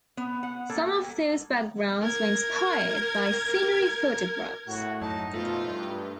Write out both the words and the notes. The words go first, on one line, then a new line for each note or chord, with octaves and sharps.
Some of those backgrounds were inspired by scenery photographs.
B3
F#5
A#3 A4
A#4 G#6
A2 F#4
F#2 D#4 A5
B2 F3 A3 F4
G2